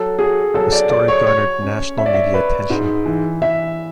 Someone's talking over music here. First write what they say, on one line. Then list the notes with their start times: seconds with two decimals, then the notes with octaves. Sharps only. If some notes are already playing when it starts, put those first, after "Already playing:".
The story garnered national media attention.
Already playing: F#3 A4
0.18 F#4 G#4
0.54 F#3 A4
0.73 D5
0.90 F#3 D5
1.08 C#5
1.26 F#3 C#5
1.62 C#4
1.98 C#4 E5
2.06 D5
2.14 E5
2.34 B4
2.70 G#2
3.06 E3
3.42 E3 E5